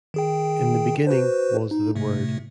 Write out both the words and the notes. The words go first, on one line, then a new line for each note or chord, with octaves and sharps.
In the beginning was the Word.
D#3 G#4 G5
F#4 B4 C5
D#4
A2 C3 A3